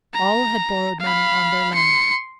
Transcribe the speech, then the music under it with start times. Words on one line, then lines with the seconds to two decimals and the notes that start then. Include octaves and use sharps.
All had borrowed money on their land.
0.14 A#5
1.00 F5 B5
1.74 C6 C#7